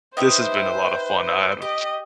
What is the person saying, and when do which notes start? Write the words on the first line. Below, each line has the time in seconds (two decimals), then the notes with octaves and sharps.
This has been a lot of fun, I I don't
0.17 D#4 G4 B4 C5 E5
1.62 G4 D#5